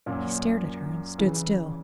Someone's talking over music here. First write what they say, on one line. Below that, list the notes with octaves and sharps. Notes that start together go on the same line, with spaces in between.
He stared at her and stood still.
F#2 A#2
C#3 E3